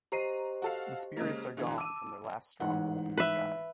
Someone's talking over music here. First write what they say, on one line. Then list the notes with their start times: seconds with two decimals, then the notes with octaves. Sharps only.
The spirits are gone from their last stronghold in the sky.
0.12 G4 C5 D#5 A#5 C7 D#7
0.62 F#4 A4 F5
1.17 C#3 G#3 A#3
1.57 B2 D3 E3
1.78 A5 D6 E6 D#7
2.60 A1 G#2 F#5
3.18 B4 E5